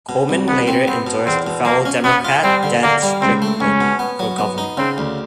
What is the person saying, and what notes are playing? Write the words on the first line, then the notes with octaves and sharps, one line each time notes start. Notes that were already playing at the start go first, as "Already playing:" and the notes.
Coleman later endorsed fellow Democrat Ted Strickland for governor.
B2
C2
C2 B3
C4
B3 C4
B2
E2 C4
B2
F3 A#3
C#4
B3 C#4
F4
G3 C4
D3
D3 A#3
G3
C#2 C4
A3
C#2 C#4
B2
B3
F#3
B3
D#4
C#3 C4
D2